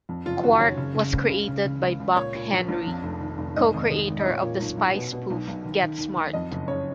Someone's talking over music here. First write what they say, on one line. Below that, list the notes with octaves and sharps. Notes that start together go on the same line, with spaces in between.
"Quark" was created by Buck Henry, co-creator of the spy spoof "Get Smart".
F2
F#1 F4
D#3 F#4
F#1 C#5
C#3
C#3
C#2
C#2
C#3
C#3
C#2
C#2
A#2 C#5
A#2
A#1
A#1
F2
F1
D#3
F1
G#2 D#5
G#1
D#3
G#1
D#5
A#2 C#5
A#2
B1
B1
B2
B2
B1
B1
D#3
D#3
D#2
D#2
F2 D#5
F#1
C#3 C#5